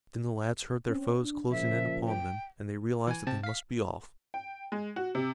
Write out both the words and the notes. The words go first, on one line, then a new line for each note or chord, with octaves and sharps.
Then the lads heard their foes closing in upon them, and they realized that they must be off.
C4 C#4
D4
A#2 C#3 F3 E5
G5
E3 G#5
C3 C4 A5
F5 B6
G5
G#3
F#4
C3